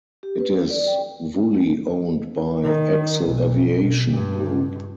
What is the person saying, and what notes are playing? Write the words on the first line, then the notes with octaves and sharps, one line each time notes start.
It is wholly owned by ExelAviation Group.
G4
B4
A4
D5
G5
D#3
B1
B2
G2